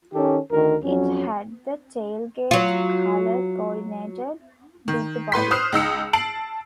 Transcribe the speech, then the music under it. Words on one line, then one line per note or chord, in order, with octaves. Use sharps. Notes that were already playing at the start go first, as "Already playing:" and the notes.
It had the tailgate colour coordinated with the body.
D#3 C#4 G4 A4
D2 D#3 A#4
F2 F#3 C#4
F#3 F4
D#3
A2 B4 C6 B6
C5 D#6 F6 F#6 C7
C#2 D#4 E6 C#7
A5 C7 D7 F#7